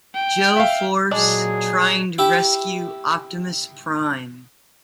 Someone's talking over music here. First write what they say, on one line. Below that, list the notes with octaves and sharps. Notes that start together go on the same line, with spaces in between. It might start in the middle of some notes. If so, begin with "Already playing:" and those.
Joe force trying to rescue Optimus Prime.
G5
E5 F5
A#2 F#3 G#3 D4 G#4 D5
E4 G4 E5